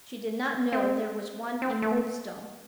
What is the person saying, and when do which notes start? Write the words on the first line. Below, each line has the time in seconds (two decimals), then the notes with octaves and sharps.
She did not know there was one in Moonstone.
0.73 C4
1.62 C4
1.82 A3
1.92 B3